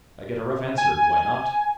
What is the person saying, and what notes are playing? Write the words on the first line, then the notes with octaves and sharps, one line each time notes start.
I get a rough answer, do I not?
G#5